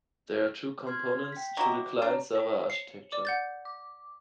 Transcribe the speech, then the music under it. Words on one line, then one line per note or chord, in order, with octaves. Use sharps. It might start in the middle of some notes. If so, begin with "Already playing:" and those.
There are two components to the client-server architecture.
C6 F6 G#6
G5 B6
F#3 E4 F#4 D#5 D6
D4 C#5 A#5
C5 C#5
C7 C#7
D5 D6
F#5 G6 A6
D6